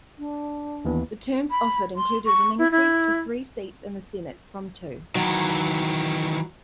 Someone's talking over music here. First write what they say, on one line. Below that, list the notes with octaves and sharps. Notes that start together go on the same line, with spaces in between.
The terms offered included an increase to three seats in the Senate from two.
D4
D#2 E3 B3
B5
C6
C#6
E4
E4
D#3 E3 F#3